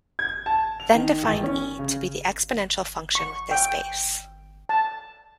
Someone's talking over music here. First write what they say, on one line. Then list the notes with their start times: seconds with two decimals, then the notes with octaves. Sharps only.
Then define "e" to be the exponential function with this base.
0.19 G#6
0.46 A5
0.80 F7
0.94 D#3
1.23 A1
1.43 C#4
1.79 C#3
3.15 C#6
3.51 G5
4.69 A5